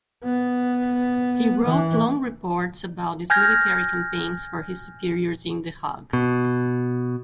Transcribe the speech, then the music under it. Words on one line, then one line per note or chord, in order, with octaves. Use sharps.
He wrote long reports about these military campaigns for his superiors in The Hague.
B3
E3
G#5 F6 G6 G#6 A#6
B2